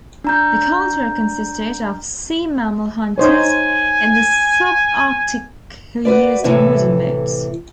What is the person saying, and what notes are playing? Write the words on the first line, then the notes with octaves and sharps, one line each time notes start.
The culture consisted of sea-mammal hunters in the subarctic who used wooden boats.
D4 A#5 G6
D#4 C5 C#5 G#5
F#4 B4 D5
A2 C3 E3 A4